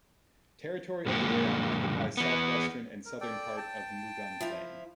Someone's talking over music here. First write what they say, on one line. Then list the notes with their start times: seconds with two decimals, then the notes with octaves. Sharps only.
Territory of the rayon occupies south-western and southern part of Mugan plain.
1.06 F#2 A#2 D3 F3 G#3 A#3
2.17 E3 B3
3.06 A#4
3.21 A4 D5 G5
3.57 G5 A5
4.41 F3 E4 F4